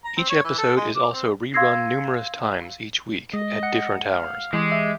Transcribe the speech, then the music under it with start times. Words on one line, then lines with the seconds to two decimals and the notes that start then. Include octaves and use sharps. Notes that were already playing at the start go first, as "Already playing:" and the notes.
Each episode is also re-run numerous times each week at different hours.
0.04 A#5
0.17 C4
0.30 C#5
0.44 E3
0.58 A4
0.77 G#3
0.95 D6
1.13 C4
1.54 F5 C6 E6 G#6 A#6 C7
3.34 G#3 D#5
3.63 F#5 C#7
4.10 F5
4.53 E3 G#3 G4
4.72 E5